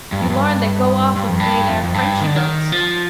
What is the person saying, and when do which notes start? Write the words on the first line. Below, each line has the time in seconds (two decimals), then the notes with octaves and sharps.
You larn that go off of they there Frenchy bilks?
0.12 G2
0.21 F2
0.30 G2
1.16 G2
1.29 F2
1.40 G2
1.68 F2
1.84 F2
1.94 G2
2.21 D#3
2.27 D3
2.36 D#3
2.72 F3